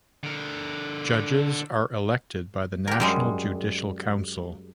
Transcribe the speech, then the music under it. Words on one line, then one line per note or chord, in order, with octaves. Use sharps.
Judges are elected by the National Judicial Council.
D3 A#4
G4 A#4
F#2 G3 G#3